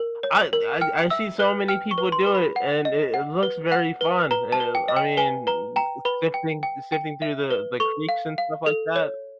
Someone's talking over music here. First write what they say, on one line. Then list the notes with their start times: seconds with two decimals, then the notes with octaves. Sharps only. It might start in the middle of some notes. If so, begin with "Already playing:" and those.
I I I see so many people do it, and it it looks very fun, uh, I mean, sifting sifting through the the creeks and stuff like that.
Already playing: A#4
0.23 C#5
0.53 A#4
0.81 G5 F6
1.10 E5 E6
1.39 B4 F#6
1.68 G5 F6
1.91 C#6
1.98 B4
2.12 C6
2.26 B4
2.35 B5
2.56 F#5
2.85 D#5
3.14 F#5
3.43 B4
3.72 F#5
4.01 B4
4.31 B4 A#5
4.52 A5
4.60 B4
4.75 G5
4.88 D#5
4.97 G5
5.17 B4 G#5
5.47 B4 A#5
5.76 G5 A#5
6.05 B4 B5
6.34 G5
6.63 G5
6.92 G5
7.22 E5
7.51 B4
7.80 A4 C#6
8.09 F5
8.38 F5
8.66 A4
8.96 C#5